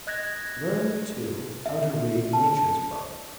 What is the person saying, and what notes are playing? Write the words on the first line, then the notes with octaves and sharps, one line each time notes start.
Learn, too, how to read Nature's book.
D#5 F#6 G#6 A#6
E5
A5